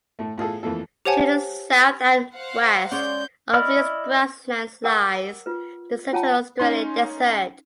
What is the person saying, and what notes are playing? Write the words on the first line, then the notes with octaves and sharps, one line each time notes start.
To the south and west of these grasslands lies the central Australian desert.
A2 A3
A2 F4 G#4 A4
F2 E3 A3 A#3 A4
G4 C5 C#5 F#5 G#5 A5
C5 F5 F#5
G#3 C#4 D5 G6
E4 D5 D#5 B5 F6
A#4 F#5 G5 A#5 D6 E6
F4 B4
F4 C#5 F#5 G5 A5 A#5
C#4 D#4 C6